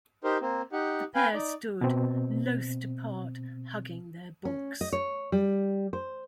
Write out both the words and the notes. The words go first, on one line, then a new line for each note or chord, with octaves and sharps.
The pair stood, loth to part, hugging their books.
D#4 G4 A#4 C5
A#3 C4
D#4 G4 F#5
B4 F5 G5 G#5
D#4 D5
B2 C4
C#4
D#5
C#5
G3
C5